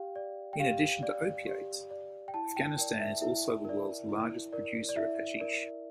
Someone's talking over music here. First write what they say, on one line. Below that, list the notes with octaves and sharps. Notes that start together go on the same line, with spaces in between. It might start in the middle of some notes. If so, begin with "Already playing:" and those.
In addition to opiates, Afghanistan is also the world's largest producer of hashish.
Already playing: G4 F5 G5
D5
G5
G4 F5
D5
G4
D5
G5
E4 A5
G5
A#4 D5 G5
E5
E4 E5
A#4 D5
E4
A#4 D5
D5
E4 E5
A#4 D5